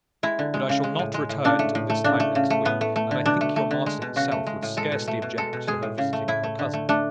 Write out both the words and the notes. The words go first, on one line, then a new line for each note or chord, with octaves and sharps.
But I shall not return till this time next week; and I think your master himself would scarcely object to her visiting her cousin.'
G#3 E4
D3
G#3
C#3
G#3
A2
G#3
A2
C#3 D4
A3
A2
A3
C#3 D4
A3
C#3
A3
A2 B3
A3
A3
D3
B2 D4
A3
A3
D3
G#3
B2
C#3 F#4
A3
G#3
A2
G#3 A4
B2
A3
B2
G#3 A4
B2
G#3 G#4
A2
C#3
A3
A2 E4
A3
D3
A3
A3 D4